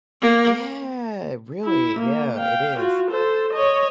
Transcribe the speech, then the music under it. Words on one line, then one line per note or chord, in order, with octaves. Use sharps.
Yeah. Really. Yeah. It is.
A#3
E4
A#3
F5 G5
F4 F#4
A4 C5
C#5 D#5